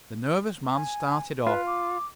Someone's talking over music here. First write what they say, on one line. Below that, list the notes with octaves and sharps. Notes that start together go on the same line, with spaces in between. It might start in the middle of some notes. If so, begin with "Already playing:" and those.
The nervous man started off.
G#5
F4 B4
D6